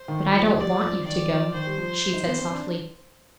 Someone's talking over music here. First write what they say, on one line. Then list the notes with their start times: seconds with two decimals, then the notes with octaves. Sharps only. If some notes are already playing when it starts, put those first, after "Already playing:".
'But I don't want you to go,' she said softly.
Already playing: C5
0.08 D#3
0.32 F3
0.56 G3 D5
0.81 F3
1.04 D#3 D5
1.29 F3
1.53 D#3 C5
1.67 G3
1.78 F3
2.13 D#4
2.26 B3
2.38 C4
2.51 D4